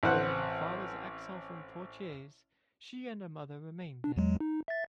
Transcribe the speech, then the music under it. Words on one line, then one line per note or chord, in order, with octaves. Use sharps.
During her father's exile from Poitiers she and her mother remained there.
A1 C4 B4 C5 F#5 F#6
D4
E2 F#3 G#3
D#4
E5 A6